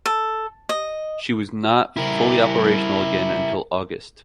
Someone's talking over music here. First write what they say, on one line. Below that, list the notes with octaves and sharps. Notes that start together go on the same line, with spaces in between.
She was not fully operational again until August.
A4
D#5
E4 A#4